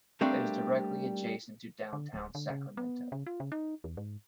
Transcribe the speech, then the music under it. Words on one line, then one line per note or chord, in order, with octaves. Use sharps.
It is directly adjacent to downtown Sacramento.
G3 A3 A#3 C4 D4
D3
D1
D3
C#3
B3
C#3
F4
C#3
D#4
E2
G#2